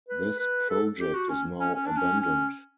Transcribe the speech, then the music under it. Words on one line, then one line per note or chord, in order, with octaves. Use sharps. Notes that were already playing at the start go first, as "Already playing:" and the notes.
This project is now abandoned.
B4
B4
A4
G4
F#4
C#4
C#4
C#4
D4
C#4
C#4